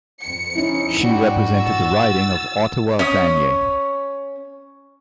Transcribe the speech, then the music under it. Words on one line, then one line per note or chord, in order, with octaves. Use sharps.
She represented the riding of Ottawa-Vanier.
F2 C#7
C#4 D#4 E4
G#2 G3 D4 F#4
E6 A6
C#4 D#6